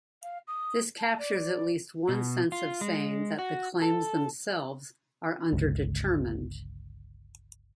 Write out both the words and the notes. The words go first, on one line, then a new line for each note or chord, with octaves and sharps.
This captures at least one sense of saying that the claims themselves are underdetermined.
F5
D#6
A5
D5
B2
F4
G#3
F#4
A4
G1 C#2